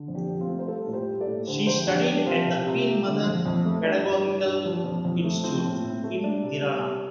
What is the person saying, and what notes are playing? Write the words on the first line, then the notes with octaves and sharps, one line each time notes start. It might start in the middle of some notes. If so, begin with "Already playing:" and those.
She studied at the Queen Mother Pedagogical Institute in Tirana.
Already playing: D3
F2
D4 G4
F2
C4 F4
A3
C5
G3 F4 A4
A2
G4 C5
G3
A4 D5
A2
D3 G4 C5
F2 G4 C5
F2 D4 G4
G3 D4 G4
F3 C4 F4
C3
C3
A3
D3
F2
F2
A3
G3 D4
G2
G3
G2
F3
F2
F2
A3
F3 C4
A2
A2
A3
G3 D4
C3
G3
C3